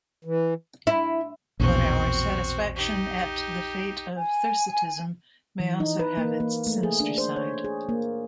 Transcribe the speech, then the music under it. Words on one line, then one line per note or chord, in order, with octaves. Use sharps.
But our satisfaction at the fate of Thersitism may also have its sinister side.
E3
E4
A#1 E2 B2 C4 F#4
D#4 G4
G#5
E3
D#4
B4
A#3
A#3
A3
G#4
D4
C5
C#5
G#4
A#3